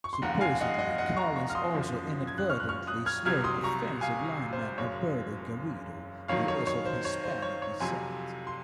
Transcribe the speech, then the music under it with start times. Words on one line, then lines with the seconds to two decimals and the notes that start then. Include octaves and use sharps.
Supposedly, Collins also inadvertently slurred offensive lineman Norberto Garrido, who is of Hispanic descent.
0.04 C#6
0.13 C6
0.22 F1 D#2 C#3 F#5 A#5
0.41 F5 G#5
0.60 D#5 F#5
0.79 D#5 F#5
0.98 D#5 F#5
1.17 A#5 C#6
1.36 A#5 C#6
1.50 F6
1.55 C6 D#6
1.74 F#1 F#2 F3
2.27 G#6
2.38 F#6
2.50 C#6 F6
2.60 F#6
2.69 C#6 F6
2.87 D#6 F#6
3.06 F6 G#6
3.25 C2 C3 F#3 F6 G#6
3.44 C6 D#6
3.64 A#5 C#6
4.01 F5 G#5
4.53 C5
4.78 F#1 F#2 C#3 C#5
6.28 F2 D#3 F#3 C#5 F5
6.48 C#5
6.67 C#5
6.85 C5
7.05 C#5
7.24 C5
7.42 C#5
7.62 C#5
7.80 F2 C3 F#3 G#5 C6
8.47 C6